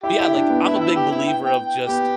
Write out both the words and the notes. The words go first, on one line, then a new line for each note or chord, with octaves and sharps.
but yeah, like, I'm a big believer of just
E4 G4 G5
E4
D4
B3
E4 E5
G5
E4 E5
G4 G5
E4 E5
G5
G5
G5
B3 G4 G5